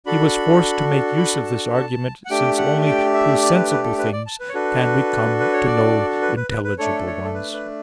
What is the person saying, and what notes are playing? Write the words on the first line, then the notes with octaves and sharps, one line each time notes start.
He was forced to make use of this argument, since only through sensible things can we come to know intelligible ones.
D4 F#4 A4 B5
B5
A5
A5
F#5
A3 D4 G4 G5
F#5
G5
E5
D5
B4
B4
A4
B4
D5
A5
B4
C#5
D4 F#4 A4 B4
B4
C#5
D5
B4
B4
B4
B4
A3 D4 A4 C#5
C#5
A4
B4
B4